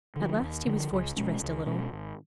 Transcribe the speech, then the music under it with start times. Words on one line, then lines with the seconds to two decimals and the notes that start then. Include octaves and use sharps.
At last he was forced to rest a little.
0.16 D3 F3
0.42 D#2
0.66 D3 F3
0.91 C#2
1.17 B2 G#3 C#4
1.42 C#2
1.66 B2 G#3 C#4
1.92 G#1